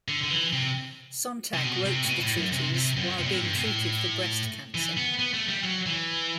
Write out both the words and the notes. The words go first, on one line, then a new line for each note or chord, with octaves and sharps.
Sontag wrote the treatise while being treated for breast cancer.
D3
D3
E3
C3
C3
B2
C3
A2
B2
A2
F#2
C3
C3
F#2
C3
B2
A2
G2
B2
A2
E3
B3
B3
A3
G3
F#3
E3